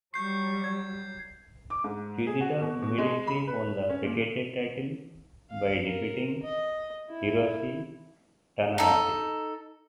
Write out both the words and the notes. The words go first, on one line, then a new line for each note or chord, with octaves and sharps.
Fujita immediately won the vacated title by defeating Hiroshi Tanahashi.
F#3 G3 C#6 G6 C7
G#6
D6
G#2
G#4
F#4
B2
B2
G#3
B5
B4
C#4
A#2
F5
A#4
D#5
E4
D#4 A4